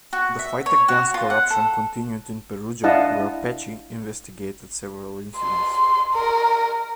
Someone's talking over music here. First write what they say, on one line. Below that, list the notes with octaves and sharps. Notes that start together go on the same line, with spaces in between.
The fight against corruption continued in Perugia, where Pecci investigated several incidents.
F#4
E5
C#5
F#4
F4
F#5
A4
D4 E4 D#5 F5 F#5 A5
C6
A#4